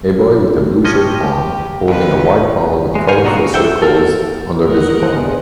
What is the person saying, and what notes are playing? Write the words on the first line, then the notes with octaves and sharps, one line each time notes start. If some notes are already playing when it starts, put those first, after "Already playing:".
A boy with a blue shirt on holding a white ball with colorful circles under his arm.
F3 C#4 G4 D#5
F2 D#3 F3 B4
E3 G#3
A#4 C5 F5 F#5 G#5
B2 D3 D#3 A#3 B3 F#4
C#3
A4 B4 C5 E5 F#5 G5
A4 A#4
A2 G3 A#4 D#5 F#5
E2 G2 G#3 C5